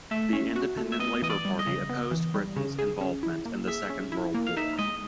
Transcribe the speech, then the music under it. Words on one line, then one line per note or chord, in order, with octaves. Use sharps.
The Independent Labour Party opposed Britain's involvement in the Second World War.
A3 E5
C#4
F#4
A3
E5
B3 D#5
E3 D#5
D5
G3
D#5
C#3
B3
E3
G3
C#3
G#4
C#4
E4
A#3
G#4 E5
C#4
E4
A#3
F5
D#4 E5
G#3 D#5